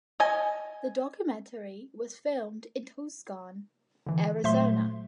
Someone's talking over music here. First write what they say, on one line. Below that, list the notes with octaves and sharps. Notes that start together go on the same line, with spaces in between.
The documentary was filmed in Tucson, Arizona.
D#5 G#5
D3 E3
A#2 F#3 A3 C5 E5 C6